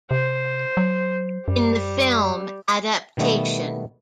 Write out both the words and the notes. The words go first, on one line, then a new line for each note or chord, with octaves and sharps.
In the film Adaptation.
C3 C5
F#3
F#2 G3
B2 D#3 G3 A3 B3